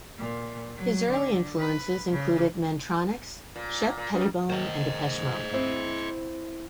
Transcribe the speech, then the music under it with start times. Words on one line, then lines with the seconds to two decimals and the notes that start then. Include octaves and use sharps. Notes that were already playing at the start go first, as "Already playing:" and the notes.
His early influences included Mantronix, Shep Pettibone, and Depeche Mode.
0.19 A#2
0.77 F#3
1.09 D3
1.59 B4
2.12 C#3
3.56 A#2
3.97 A#2
4.14 F#2 G3
4.50 D#3 C5 D#5 A5
5.53 C4 E4